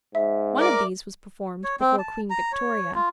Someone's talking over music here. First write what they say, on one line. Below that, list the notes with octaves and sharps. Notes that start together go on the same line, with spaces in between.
One of these was performed before Queen Victoria.
G#2 E5
A#4 D5 D6
C#5
C4
A5
A#5
C#5
F4